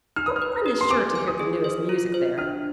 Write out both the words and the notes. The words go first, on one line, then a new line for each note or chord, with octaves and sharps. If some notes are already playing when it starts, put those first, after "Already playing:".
But one is sure to hear the newest music there.
D#4 F6
D#6
F6
B4
G4
C6
G#5 D6
G#5
D#6
G#4
C5
F4
C5
D4 F6